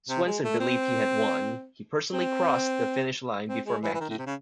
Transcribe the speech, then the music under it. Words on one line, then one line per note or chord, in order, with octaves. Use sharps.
Swenson believed he had won-he personally crossed the finish line before Mackey.
C3
G#3
A3
C4
C4
C4
G#3
E3
E3
D#3
A2
C3
C#3